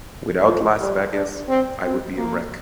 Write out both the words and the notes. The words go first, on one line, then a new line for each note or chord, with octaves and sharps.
Without Las Vegas, I would be a wreck.
F3
G3
D4
C4
C4
A#3